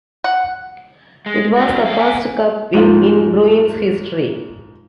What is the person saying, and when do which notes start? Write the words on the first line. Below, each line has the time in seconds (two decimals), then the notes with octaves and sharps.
It was the first Cup win in Bruins history.
0.24 F#5
1.26 G#3
1.57 A#3 D4 F#4
1.83 F#2 A#3 F5 G5
1.99 E5 F#5 G#5
2.74 G#2 F3 F4